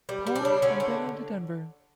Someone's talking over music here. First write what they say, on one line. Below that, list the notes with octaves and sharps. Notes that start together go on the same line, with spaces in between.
Paul and then on to Denver.
G3
G3
D4
C#3
D3 C#4
A3